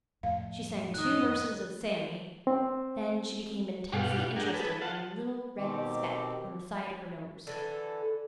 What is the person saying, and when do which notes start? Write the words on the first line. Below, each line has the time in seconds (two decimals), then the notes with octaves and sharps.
She sang two verses of "Sammy." Then she became intensely interested in a little red speck on the side of her nose.
0.23 F2 A2 F5
0.94 D#3 F#3 D#5 D#6 F#6
2.47 C4
3.93 G2 B2 G3 F5 F#5
4.36 D4 G4 G#4 A#4 F#5
4.54 G#4 A4 B4
4.82 F4 F#5 A5
5.58 B2 D#3 C4 G4
7.47 D3 E3 A4